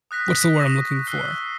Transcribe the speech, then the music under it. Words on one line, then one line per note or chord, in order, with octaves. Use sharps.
what's the word I'm looking for?
D#6 F#6 A#6 B6
C#6 A#6
E6 F#6 C7 G7